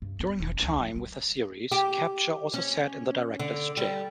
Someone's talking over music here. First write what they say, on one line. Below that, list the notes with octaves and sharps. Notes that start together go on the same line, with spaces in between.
During her time with the series, Kapture also sat in the director's chair.
G2
B3
E1
C#2
F3
G3
G4
C#4
D3
G3